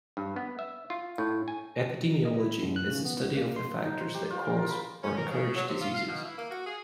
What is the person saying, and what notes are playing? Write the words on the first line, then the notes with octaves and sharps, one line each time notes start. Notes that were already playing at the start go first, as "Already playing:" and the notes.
Epidemiology is the study of the factors that cause or encourage diseases.
G2
B3
E5
F4
A2
G#5
D#5
E4
F#2
F#6
C#3
B3
C#2
A#3
C6
D#4
C5
G4
F4
A#4
A#4
B5
C#4
A#4
C#3
F#3
C3
F4
F5
B2
E4
A#3
F#4
G#4